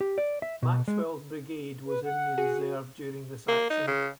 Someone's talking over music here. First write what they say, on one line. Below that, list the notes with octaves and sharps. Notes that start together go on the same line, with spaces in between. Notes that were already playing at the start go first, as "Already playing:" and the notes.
Maxwell's Brigade was in the reserve during this action.
G4
D5
E5
B2
G#3
B4
F#5
F#4 G#4
A#3
D#4
C#3